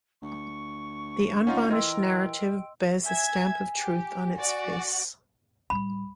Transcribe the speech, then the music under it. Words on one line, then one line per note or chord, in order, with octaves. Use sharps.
The unvarnished narrative bears the stamp of truth on its face.
D2 C#6
C#4 D#4 F4 F5 F#5
E3 A#4 D#5 G5 C6 E6
E5 G#5 G#6
G4
F#4 D5
A2 G3 B5